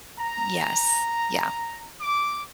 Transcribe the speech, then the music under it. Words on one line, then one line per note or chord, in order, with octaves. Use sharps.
Yes. Yeah.
A#5
D6